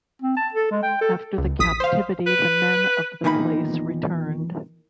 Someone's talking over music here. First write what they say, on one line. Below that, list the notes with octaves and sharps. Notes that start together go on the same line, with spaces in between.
After the captivity the men of the place returned.
C4
A5
A4
G#3
G5
A4
C#2
A1 D#6 B6
C5 F5
B4
E2 A#2 D#3 D#4 A#5 B5